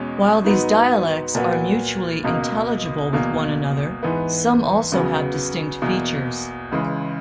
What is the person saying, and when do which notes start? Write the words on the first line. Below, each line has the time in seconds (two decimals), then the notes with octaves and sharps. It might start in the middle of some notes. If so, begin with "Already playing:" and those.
While these dialects are mutually intelligible with one another, some also have distinct features.
Already playing: E2 B2 G#3 C#4
0.44 G#2 F#3 B3 D#4
1.35 A#2 F#3 B3 F#4 B4
2.24 C#2 B2 A#3
3.13 E2 B2 A#3
4.03 G#2 E3 B3
4.92 E2 C#3 F#3 B3
5.82 E2 B2 A#3
6.72 C#2 C#3 E3 G#3